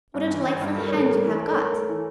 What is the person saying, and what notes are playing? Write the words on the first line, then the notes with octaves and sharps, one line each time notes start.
What a delightful hand you have got!
G2
E3
G1
G2
A4
G3 A#4
C#5
A2 A#4
G3 A#4
E3
A#4
A3 A4
C#5
A3 A#4
A3 A4
E3